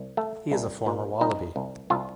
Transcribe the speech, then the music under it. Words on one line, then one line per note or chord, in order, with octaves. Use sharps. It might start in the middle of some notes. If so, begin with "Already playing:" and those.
He is a former Wallaby.
Already playing: C2
A3
C2
A#2
C2 D#4
C2
C2 F4